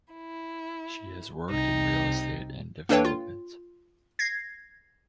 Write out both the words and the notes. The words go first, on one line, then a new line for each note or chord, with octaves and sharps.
She has worked in real estate and development.
E4
C2 C3 D#4 G5
A#3 D4 A4 B4 C#5 G5
F4
G#6 A#6 C7